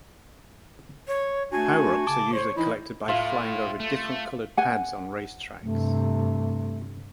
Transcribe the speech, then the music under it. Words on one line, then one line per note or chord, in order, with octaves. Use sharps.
Power-ups are usually collected by flying over different coloured pads on race tracks.
C#5
A3 D4 F#4 G#5
C#3 A5 D6
C5 C#5
E3 D#4 E4
A2 F4 E5
A3
F#5 G#5
G2 C3 A3